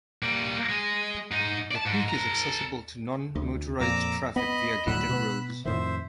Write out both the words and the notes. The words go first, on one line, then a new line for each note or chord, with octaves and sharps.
The peak is accessible to non-motorized traffic via a gated road.
G3 A#3
G#3
G#2 D#4
D5 A5
G#2
A4 A#5
D2
F2 A#2 A#5 D6 E6
B3 D#5 B5
D2 A2 F#3 B5 E6 F#6
B2 B3
F2 A2 D#3 C5 E5